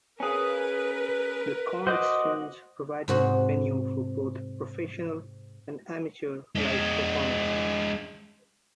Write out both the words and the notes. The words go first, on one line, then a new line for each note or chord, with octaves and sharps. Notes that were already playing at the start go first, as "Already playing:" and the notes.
The Corn Exchange providing a venue for both professional and amateur live performances.
C#4 G#4 A#4 B4
F#4 C5 D#5 D6
G#2 C3 F#4
G#3 D4